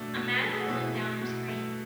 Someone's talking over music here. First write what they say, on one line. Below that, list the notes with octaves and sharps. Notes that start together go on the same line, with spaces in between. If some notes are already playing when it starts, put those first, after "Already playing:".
A man pulling down a screen.
Already playing: B2 A3 D4
B2
B4
A3 A4
G#4
F#4
B2 E4
A3
B2
A3